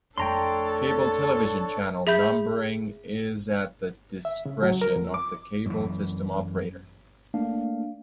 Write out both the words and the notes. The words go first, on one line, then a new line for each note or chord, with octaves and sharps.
Cable television channel numbering is at the discretion of the cable system operator.
F2 A3 D4 A4 C#5 G5 A#5 C6
G#4 E5 B5 G6
E5
C#3
F#3
A#4
F2
D6
F#2 E3
A3 A#3 D4 F5